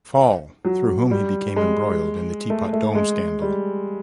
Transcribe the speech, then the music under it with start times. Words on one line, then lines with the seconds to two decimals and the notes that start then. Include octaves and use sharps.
Fall, through whom he became embroiled in the Teapot Dome scandal.
0.65 F#3
1.11 G3
1.56 G#3
2.50 A3
2.73 A3
2.95 G#3
3.42 G3